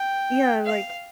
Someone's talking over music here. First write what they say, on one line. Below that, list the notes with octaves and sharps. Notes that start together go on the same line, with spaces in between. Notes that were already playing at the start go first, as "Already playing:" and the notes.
Yeah, like
Already playing: G5
F5